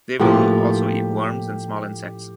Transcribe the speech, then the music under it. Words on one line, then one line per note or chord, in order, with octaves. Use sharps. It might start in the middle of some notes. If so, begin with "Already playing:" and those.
They will also eat worms and small insects.
A2 F3 A#3 G4